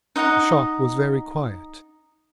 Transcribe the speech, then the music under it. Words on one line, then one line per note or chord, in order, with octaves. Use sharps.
The shop was very quiet.
D#4 D#5 F#5 A#5